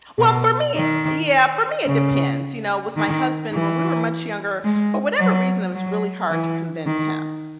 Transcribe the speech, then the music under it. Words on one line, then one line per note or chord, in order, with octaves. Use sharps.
Well, for me, uh, yeah, for me it depends, you know, with my husband, when we were much younger, for whatever reason, it was really hard to convince him.
B2
D#3
C#3
D#3
E3
G#3
F#3
F#3
E3
D#3